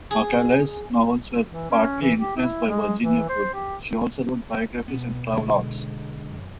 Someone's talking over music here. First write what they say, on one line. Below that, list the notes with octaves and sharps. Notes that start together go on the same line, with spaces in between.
Macaulay's novels were partly-influenced by Virginia Woolf; she also wrote biographies and travelogues.
G#4
E3
C#4
E3
G4
E4
G#3
E3
C5
G4
B2 B3
D3 G#3
F#2